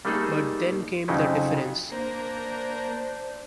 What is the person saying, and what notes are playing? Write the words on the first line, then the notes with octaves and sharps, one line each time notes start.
But then came the difference.
G3 A3 A#3 D#4 G#4 A4
F2 C#3 F3 F#3 D#4 E4
A#3 D4 C5